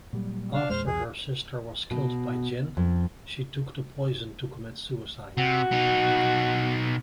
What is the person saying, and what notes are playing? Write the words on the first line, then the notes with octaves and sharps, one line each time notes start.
After her sister was killed by Gin, she took the poison to commit suicide.
A#2 F#3 G3
D4 F5
E2 A#2 G#3 C5 F6
B1 E2 G#4
B2
F2
C3 F#4
B2 D#4